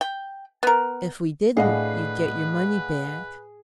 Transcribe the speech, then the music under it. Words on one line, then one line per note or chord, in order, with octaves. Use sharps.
"If we didn't you'd get your money back."
G5
B3 A#4
A2 D4 G#4 B4 D#5 F5 F#5 C7